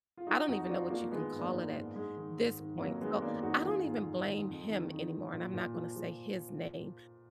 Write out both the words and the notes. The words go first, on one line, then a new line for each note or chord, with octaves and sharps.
I don't even know what you can call it at this point, so I don't even blame him anymore, and I'm not gonna say his name;
F4
F3 D#4 F#4
F2 D#4 F#4
F#4
F3 D4 F4
F3 A#3 D4
D#3 G#3 B3
G#2
A#3 D4
G#2
G#2
G#2 G#3
D#3
G#2
D#3
F2 F#3 A#3
D#3 G#3 B3
D#3 A#3 D4
F2 D#4 F#4
D#3 F4 G#4
G#2
G#2
D#3
F2
D#3
D#3
D#3
A#2
A#2
F3
F3